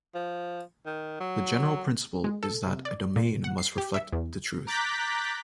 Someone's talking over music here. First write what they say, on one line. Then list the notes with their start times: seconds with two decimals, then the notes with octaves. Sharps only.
The general principle is that a domain must reflect the truth.
0.14 F3
0.86 D#3
1.20 F#3
2.24 G#3
2.43 A4
2.66 C3
2.85 D5
3.16 A#2
3.44 F#5
3.58 C7
3.78 G4
3.94 E5
4.13 E2
4.67 A#5 D6 F#6 G6 A6 B6